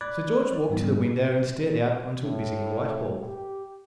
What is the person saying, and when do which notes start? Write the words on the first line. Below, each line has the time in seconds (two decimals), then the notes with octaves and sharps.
Sir George walked to the window and stared out on to busy Whitehall.
0.01 D5 B5 D6 F#6 G#6 A6
0.70 G#2 G3 B3
2.23 A2
3.28 G4